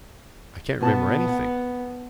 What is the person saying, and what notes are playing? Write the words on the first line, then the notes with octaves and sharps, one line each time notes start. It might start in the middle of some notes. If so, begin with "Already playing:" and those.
I can't remember anything.
B2 B3 A5
F#5